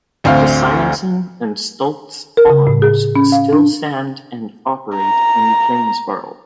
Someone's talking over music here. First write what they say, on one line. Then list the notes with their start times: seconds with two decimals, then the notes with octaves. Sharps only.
The Simonson and Stults Farms still stand and operate in Plainsboro.
0.24 A1 D2 C4 F5
2.37 A#4
2.50 C#3
2.67 A2
2.82 G#4
3.16 C#4
3.32 F5
3.53 D4
4.97 A#5